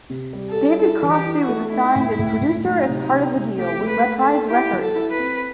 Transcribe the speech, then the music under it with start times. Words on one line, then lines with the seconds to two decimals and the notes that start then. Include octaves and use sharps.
David Crosby was assigned as producer as part of the deal with Reprise Records.
0.10 C3
0.33 G3
0.49 A4
0.56 G3
0.80 E4 A4
1.02 E3
1.11 G4
1.26 E4
1.41 F#4
1.49 A3
1.72 D#4 E4
1.96 A2
2.19 A2
2.41 A2
2.64 F#3 D#4
2.88 C3
3.11 C3
3.35 C3
3.57 A3 G4
3.81 A3
3.89 B4
4.04 A3
4.19 A4
4.27 D#4
4.50 E4 G4
4.73 F#3
4.81 A4
4.96 E4
5.12 B4
5.19 C4